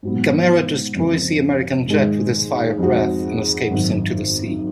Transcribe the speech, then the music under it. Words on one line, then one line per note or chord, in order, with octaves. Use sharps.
Gamera destroys the American jet with his fire breath and escapes into the sea.
G#2 F#3 B3
F2 C#3 F3 A#3
G#2 D#3 G#3
F2 F3 G#3 D#4 F#4
G#1 F#2 D#3